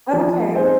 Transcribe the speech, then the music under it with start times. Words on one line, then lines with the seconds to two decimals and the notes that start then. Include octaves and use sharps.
Oh, okay
0.13 F3
0.54 C4 D#4 G#4 C5